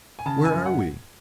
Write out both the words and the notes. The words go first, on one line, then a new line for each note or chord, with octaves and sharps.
"Where are we?"
G#5
C#3 A5
G#5
F#2
F#5